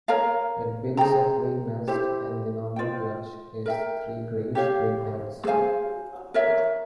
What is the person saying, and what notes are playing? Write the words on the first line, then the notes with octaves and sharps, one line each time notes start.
It builds a twig nest and the normal clutch is three greyish-green eggs.
A#4 C#5 F5 A#5
G#4 C5 G5 A#5
E4 G4 C5
F4 C5 G5
A#4 E5 G5
G4 C#5 F5
G#4 C5 F5 G#5
A#4 C#5 E5